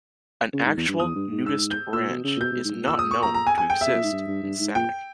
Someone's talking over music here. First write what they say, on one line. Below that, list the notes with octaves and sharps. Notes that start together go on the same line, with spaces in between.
An actual nudist ranch is not known to exist in Samak.
C#3
G#2
E2
G2
E2 D#6
G2
G#2
E6
G6
A#2 E6
B2
C#3
A#2
B2 G6
B2
G#2
A#2
E6
D#6
C#6
A#5
A#5
G#5
G#5
G5
E5
B2
A#2
G#2
G2
G2
G2
G#2
A#2 G5